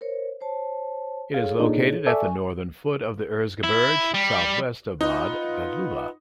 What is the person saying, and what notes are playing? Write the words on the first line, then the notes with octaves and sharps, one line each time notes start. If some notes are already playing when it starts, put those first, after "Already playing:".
It is located at the northern foot of the Erzgebirge, southwest of Bad Gottleuba.
A#4 C5 C#5
C5 C#5 A5
G#4 A4 C#5 F5
A#2 D4 D#4
A4 D5 E5 G#5 C#6
E4
G3
D#4 F4 B4 F#5